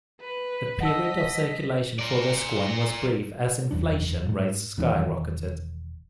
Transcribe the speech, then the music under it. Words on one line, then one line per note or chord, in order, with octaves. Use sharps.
The period of circulation for this coin was brief as inflation rates skyrocketed.
B4
D#5 F#5 A5 E6 B6
A#4 D5
F#1 E2 D4
E1 G#2
E1 D#3 E3 C#4